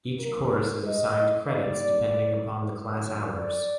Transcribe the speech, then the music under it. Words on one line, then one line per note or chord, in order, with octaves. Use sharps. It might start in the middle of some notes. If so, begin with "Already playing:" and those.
Each course is assigned credits depending upon the class hours.
F#2 D#3 F#3 A#3 A#4
D#5
A#2 G3 A#3 D#4 D5
F#2 D3 F#3 C#5
D5